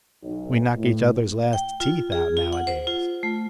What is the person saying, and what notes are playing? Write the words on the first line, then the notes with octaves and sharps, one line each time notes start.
We knock each other's last teeth out nowadays.
B1
A2
G5
F4
G#4
F4
F#5
C5
F4
A3